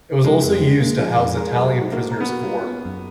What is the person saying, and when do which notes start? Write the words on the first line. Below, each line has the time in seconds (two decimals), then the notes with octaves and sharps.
It was also used to house Italian prisoners of war.
0.24 F3 G#3
0.43 F2
0.52 G#3
0.62 C#3
0.80 G#3 A#3
0.99 F3
1.17 F2
1.36 G#3 A#4
1.55 F#3
1.74 F#4
1.92 A#3 F#4
2.11 A#4
2.20 B3
2.29 F#4
2.48 F4
2.67 B3
2.85 F#2